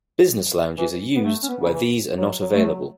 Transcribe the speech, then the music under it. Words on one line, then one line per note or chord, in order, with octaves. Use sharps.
Business lounges are used where these are not available.
E3
B3
A3
C#4
B3
C#3
E3
F#3
F#3
A3
F#3